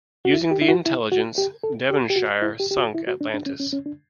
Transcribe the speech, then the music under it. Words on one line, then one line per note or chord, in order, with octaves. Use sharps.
Using the intelligence, "Devonshire" sunk "Atlantis".
F#4
E4
G4
E4
F#4
E4
F#4
G4
A4
G4
G4
F#4
E4
G4
G4
F#4
E4
F#4
D4
D4
C#4
C#4
C#4
D4